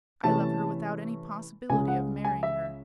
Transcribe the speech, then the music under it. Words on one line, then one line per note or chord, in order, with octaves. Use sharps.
I love her without any possibility of marrying her.
C3 E3 A3 C#4 A5
C#2 C#3 G#3 G#5
F#5
G#5
E5